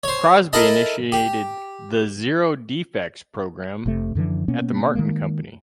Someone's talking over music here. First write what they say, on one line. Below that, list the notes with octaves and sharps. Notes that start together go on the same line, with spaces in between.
Crosby initiated the Zero Defects program at the Martin Company.
C5 C#5
E4 A4 A#4 D#5 A5
G4
F1 C3 A3
F#2 D3 E3 F3
B2 A#3 B3 C#4
D#3 G#3 A#3